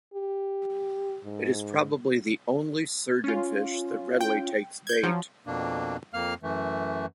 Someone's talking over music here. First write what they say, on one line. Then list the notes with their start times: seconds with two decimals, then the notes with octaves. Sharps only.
It is probably the only surgeonfish that readily takes bait.
0.14 G4
1.25 G#2
3.24 C#4 F4
4.21 G5
4.87 G6 G#6
5.03 F3 F#3
5.47 F2 B2 A#3 D4
6.14 F2 A#3 F5 F6
6.43 F#2 E3 A3